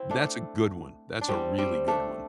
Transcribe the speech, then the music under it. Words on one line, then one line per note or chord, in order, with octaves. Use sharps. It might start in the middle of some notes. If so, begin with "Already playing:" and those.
but that's a good one, that's a really good one.
Already playing: C4 E4
A3 D4
D4
G3 C4
G3 C4
A3 D4